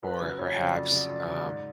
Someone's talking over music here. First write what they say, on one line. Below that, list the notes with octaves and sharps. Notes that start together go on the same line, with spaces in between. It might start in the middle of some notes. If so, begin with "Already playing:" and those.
or perhaps, um
F2 B4
C#3 F#3
F2 C#5
C#3 F#3
F2 D5
C#3 F#3
F2
C#3 F#3
G#2